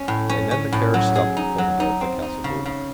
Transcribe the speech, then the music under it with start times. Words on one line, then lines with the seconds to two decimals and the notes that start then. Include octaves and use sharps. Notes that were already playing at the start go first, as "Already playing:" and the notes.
And then the carriage stopped before the door of the Casa Gould.
Already playing: C#4
0.08 A2
0.29 C#4
0.51 C#4
0.73 A2
0.94 F#3
1.15 G#4
1.37 D#4
1.58 F#3
1.80 D#4
2.01 C4
2.22 D#4
2.44 C#3
2.66 C#3